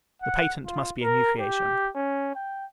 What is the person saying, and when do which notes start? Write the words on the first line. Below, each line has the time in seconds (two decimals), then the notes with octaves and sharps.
The patent must be a new creation.
0.22 F#5
0.66 F4
1.03 A#4
1.40 G4
1.95 C#4
2.35 G5